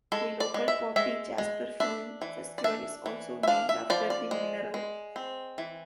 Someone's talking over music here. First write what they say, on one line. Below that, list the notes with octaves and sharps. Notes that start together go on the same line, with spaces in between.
The local Poppy Jasper Film Festival is also named after the mineral.
G#3 A4
D5
G#3
E5
G#3 E5
G#3
D4 E5
E3
D5
D4 E5
E3
E5
D4 F5
E5
F3 D5
D5
G#3
G#3
C4
E3